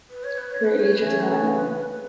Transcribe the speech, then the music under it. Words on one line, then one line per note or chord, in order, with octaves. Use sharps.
Her age is not known.
B4
C#5
B4
C#5
B4
C#5
B4
C#3 E3 A3 C#4 G#4
C#5
B4
B4